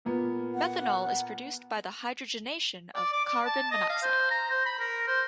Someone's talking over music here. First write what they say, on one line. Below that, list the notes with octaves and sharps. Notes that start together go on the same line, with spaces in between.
Methanol is produced by the hydrogenation of carbon monoxide.
A#2 A#3 B3
F#5
D5
D6
D5
A5
D#5
F5
C5
A#5
C5
B5
A#4
C5